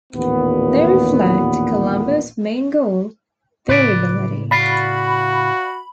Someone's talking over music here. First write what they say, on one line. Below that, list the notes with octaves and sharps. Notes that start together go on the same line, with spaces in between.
They reflect Colombo's main goal, variability.
A1 D#2 A#2 B3
A2 C#3 B4 D5
F#4 D5 F5 B5